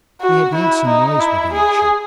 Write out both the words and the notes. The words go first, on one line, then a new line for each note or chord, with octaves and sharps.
We had made some noise within the ship.
F#4
E4
D#4
E4
G#4